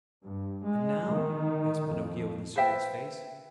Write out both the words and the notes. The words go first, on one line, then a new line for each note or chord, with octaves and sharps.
"And now?" asked Pinocchio with a serious face.
G2
G#3
D#3
F2
B4 C5 E5 G5